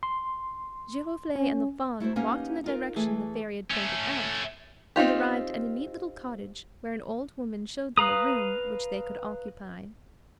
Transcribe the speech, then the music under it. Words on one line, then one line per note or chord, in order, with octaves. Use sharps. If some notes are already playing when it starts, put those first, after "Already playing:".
Giroflee and the Fawn walked in the direction the Fairy had pointed out, and arrived at a neat little cottage where an old woman showed them a room which they could occupy.
C6
C#4
A3 E4 F#4 C5
A#3 B3 C#4 D#4 G4
D#4 F4 A#4
E3 A3 G#4 B4
A3 C#4
C4 D#4 F4 G4
B4 F5 A#5 D#6